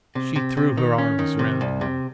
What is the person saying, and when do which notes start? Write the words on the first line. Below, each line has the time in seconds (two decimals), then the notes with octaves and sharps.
She threw her arms round him.
0.15 C3
0.36 C3
0.57 C3
0.77 D#3
0.98 C#4
1.19 D#3
1.39 C3
1.61 C2
1.81 C3